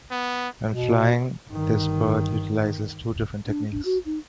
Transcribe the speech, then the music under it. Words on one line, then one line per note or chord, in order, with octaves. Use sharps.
When flying, this bird utilizes two different techniques.
B3
B2
G1 D#3
D4
D4
F#4
D#4